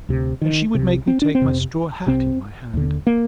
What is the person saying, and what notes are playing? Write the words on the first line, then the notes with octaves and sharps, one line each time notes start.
And she would make me take my straw hat in my hand.
D2 C3
D#3
C2 C3
C4
D4
C4
F2 C3
C2 C3 C4
D#2 D3
A#3